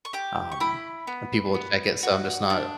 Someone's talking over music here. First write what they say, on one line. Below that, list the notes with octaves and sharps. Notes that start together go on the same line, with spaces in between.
um, and people would check it, so I'm just not
C#6
G4 D6
C#6
E4 B5
B3
B3
F#4
D4